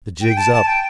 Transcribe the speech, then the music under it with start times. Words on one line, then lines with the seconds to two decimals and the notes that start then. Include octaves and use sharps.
The jig's up.
0.21 G5
0.37 A5
0.52 A5
0.67 G5